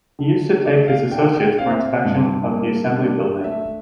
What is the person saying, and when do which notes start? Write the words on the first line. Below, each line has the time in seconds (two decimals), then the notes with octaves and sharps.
He used to take his associates for inspection of the assembly building.
0.19 D3
0.65 A3 D5
0.88 F5
1.11 D4 G5
1.35 G5
1.58 C4 F5
1.70 E5
1.83 F5
2.05 G2
2.51 A#3
2.97 D4
3.44 A3 E5